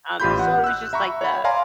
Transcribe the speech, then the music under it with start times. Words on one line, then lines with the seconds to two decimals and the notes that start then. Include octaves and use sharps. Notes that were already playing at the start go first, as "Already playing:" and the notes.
um, so it was just like the
0.20 A1 F4 G4 B5 C6 G6
0.39 F#5
0.64 E6 F#6
0.93 E5 A#5 B5 C#6
1.21 C#5 B5
1.44 D5 F5 G#5 A#5 C6